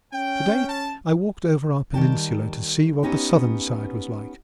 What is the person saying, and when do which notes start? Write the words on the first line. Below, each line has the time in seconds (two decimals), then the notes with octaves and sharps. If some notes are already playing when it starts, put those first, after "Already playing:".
To-day I walked over our peninsula to see what the southern side was like.
0.13 C#4 G5
0.69 A5
1.94 D#3 G3 G5 A5
3.03 B3 C#4 D#4 G4